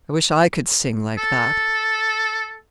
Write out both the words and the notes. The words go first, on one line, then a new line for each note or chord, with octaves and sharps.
"I wish I could sing like that!"
A4